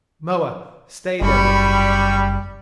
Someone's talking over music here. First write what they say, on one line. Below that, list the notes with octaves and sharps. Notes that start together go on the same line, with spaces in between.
Moa, stay there with him.
F#1 G3 B5 C#6